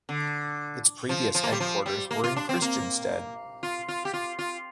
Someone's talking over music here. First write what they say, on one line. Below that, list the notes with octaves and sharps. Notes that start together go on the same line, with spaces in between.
Its previous headquarters were in Christiansted.
D3
F3
F3
A#3
G3
F3
G3
A#3
F4
D4
C4
A#3
F4
F4
G4
F4
F4